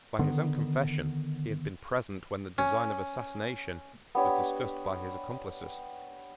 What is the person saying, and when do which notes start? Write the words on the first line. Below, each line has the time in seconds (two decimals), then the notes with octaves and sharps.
By his own confession he had been present when the design of assassination was discussed by his accomplices.
0.19 D3 D#3 B3
2.58 C#4
4.15 B3 D4 G4 C#5